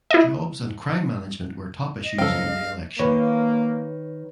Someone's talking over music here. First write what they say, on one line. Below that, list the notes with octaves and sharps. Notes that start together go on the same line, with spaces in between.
Jobs and crime management were top issues in the election.
E4 D#5
D#5
C#2 F#2 F3 A4 F5 G5
G#3
D#3 A#3 B4 C#5